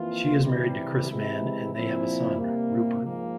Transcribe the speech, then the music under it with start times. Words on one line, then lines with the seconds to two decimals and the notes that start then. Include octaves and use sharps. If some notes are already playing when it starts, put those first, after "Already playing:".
She is married to Chris Mann and they have a son, Rupert.
Already playing: F2 E3 A#3 F4
0.43 C3 E3 G3
1.09 C3 E3 G#3 E4
1.73 A#2 F3 C4 E4
2.37 C3 G3 A#3
3.02 G#2 F3 A#3